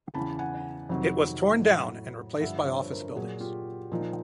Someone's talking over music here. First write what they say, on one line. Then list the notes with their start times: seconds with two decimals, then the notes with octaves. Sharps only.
It was torn down and replaced by office buildings.
0.14 E2 C#3 E3 A5 B5
0.39 F#5 G#5
0.89 F2 C3 D#3 F#3
1.64 A2 F#3
2.40 G2 D3 F3 E5 F#5
2.65 C#5
2.73 C5
2.80 B4 C#5
2.91 A#4 C5
3.15 A#2 F#3 F#4 G#4
3.40 F4 G4
3.92 A#2 F3 D#4